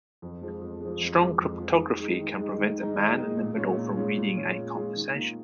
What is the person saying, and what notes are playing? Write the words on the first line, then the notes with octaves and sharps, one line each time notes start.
Strong cryptography can prevent a man in the middle from reading a conversation.
F2
F3 G#3
F2
F3 G#3
F2
F3 G#3
F2
F3 G#3
D#3
G#3 D#4
D#3
G#3 D#4
D#3
G#3 D#4
D#3
G#3 D#4
A#2
G#3 C#4 F4
A#2
G#3 C#4 F4
A#2
G#3 C#4 F4
A#2
G#3 C#4 F4
D#3
A#3 F4